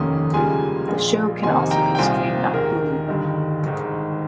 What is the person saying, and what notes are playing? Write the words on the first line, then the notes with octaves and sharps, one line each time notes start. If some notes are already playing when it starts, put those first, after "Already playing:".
The show can also be streamed on Hulu.
Already playing: F1 D#2 D#3 A#3 C#4 C6 D#6
C#2 C#3 G3 A#3 F4 G#5 C6
A#1 A#2 G#3
F2 C3 D#3 A#3 D#4 G#5 C6
G5 A#5
G5
C2 A#2 F3 C4 F5 G#5
D#2 D#3 G#3 A#4
G1 G2 D#3
G#1 G#2 D#3